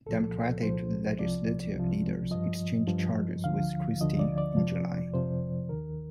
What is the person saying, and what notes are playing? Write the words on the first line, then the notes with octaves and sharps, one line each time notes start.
Democratic legislative leaders exchanged charges with Christie in July.
C2 A#2 F3 A4
C2 A#2 F3 C5
C2 C3 F3 D5
C2 C3 F3
G2 F3 D#5
G2 F3
D2 D3 F3 F5
D2 D3 F3 D#5
D5
D5
F2 C3 F3
F2 C3 F3 C5
D#2 D#3 A#4